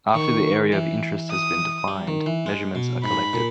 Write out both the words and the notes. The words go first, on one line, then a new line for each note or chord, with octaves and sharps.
After the area of interest has been defined, measurements are collected.
D#3 C#6
E3
D#6
G3
D#3
E3
G#3
B2
G#2 B5
A#2